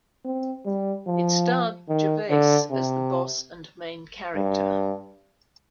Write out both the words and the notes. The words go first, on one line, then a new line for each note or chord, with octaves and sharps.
It starred Gervais as the boss and main character.
C4
G3
F3
D#3
D3
C3
G2